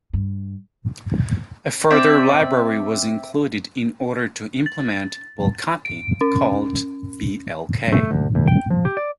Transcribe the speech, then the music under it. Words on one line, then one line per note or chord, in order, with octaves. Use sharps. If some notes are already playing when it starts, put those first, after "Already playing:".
A further library was included in order to implement "Bulk Copy" called blk.
G2
C4 D5 E5
A6
D7
C#4
A3
D2
D#2
G5
F3
G4
D5